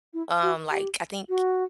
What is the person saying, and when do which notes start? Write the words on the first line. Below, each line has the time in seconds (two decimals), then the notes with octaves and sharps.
um, like, I think,
0.14 E4
0.42 F#4
0.71 G4
1.29 F#4